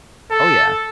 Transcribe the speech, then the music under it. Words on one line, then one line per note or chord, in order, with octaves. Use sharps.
Oh, yeah.
A4